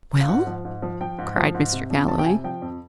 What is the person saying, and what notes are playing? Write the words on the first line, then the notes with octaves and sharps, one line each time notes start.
"Well?" cried Mr. Galloway.
F5
G#2 F#5
F3
G#2
F3
F3 G5
G#2
F3
G#2
C3
F2
F2 A5
G5
C3 G#5
F3 G5
F2